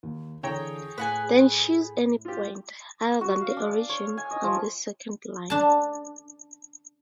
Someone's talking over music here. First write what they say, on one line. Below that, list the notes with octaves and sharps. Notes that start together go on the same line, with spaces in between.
Then choose any point, other than the origin, on this second line.
D#2
D3 E3 G#4 C#5 G5 A#5
A2 B4 F#5 G#5
F4 G4
F#4
F5
D4
D4
C#5
G#5
D#5
F3
D4 A5